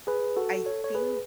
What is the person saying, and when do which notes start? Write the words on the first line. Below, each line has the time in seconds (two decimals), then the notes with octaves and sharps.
I think
0.07 G#4 B4
0.36 F#4 A4
0.65 A4 C#5
0.84 C#5
0.95 G#4 B4